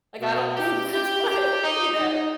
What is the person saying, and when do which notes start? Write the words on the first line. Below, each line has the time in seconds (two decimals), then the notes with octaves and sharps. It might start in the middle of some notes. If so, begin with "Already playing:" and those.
Like, I don't think that's what you know?
0.20 B2
0.56 G4
0.93 G4
1.30 G4
1.64 D#4
1.98 D#4